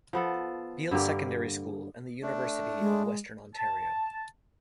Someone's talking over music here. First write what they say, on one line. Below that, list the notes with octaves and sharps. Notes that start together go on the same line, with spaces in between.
Beal Secondary School and the University of Western Ontario.
F3 B3 A4
G2 D3 A#3 G4
A3 D4
G#3
A5